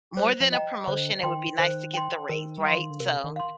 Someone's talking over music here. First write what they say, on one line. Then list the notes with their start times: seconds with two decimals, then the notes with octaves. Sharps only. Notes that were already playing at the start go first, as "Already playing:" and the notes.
More than a promotion, it would be nice to get the raise, right, so,
0.17 G3 C5
0.40 F3
0.52 D#5 G5 A#5
0.88 D3 C5
1.23 D#3 G5 C6
1.59 D#3 C5
1.94 G5 C6
2.29 D#3 A#4
2.58 G3
2.65 F3 F5 C6
2.79 D#3
2.90 D3
3.00 C3 A#4
3.24 D#3
3.36 F5 C6